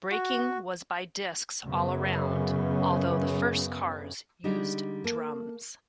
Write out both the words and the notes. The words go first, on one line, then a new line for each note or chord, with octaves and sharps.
Braking was by discs all around, although the first cars used drums.
F#4
F#2 C#3 B3
D3 G3 G#3 D4 D#4
A#3 A4